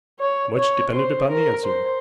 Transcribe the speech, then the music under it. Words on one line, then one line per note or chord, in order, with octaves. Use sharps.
Much depended upon the answer.
C#5
C#5
C5
A#4
C5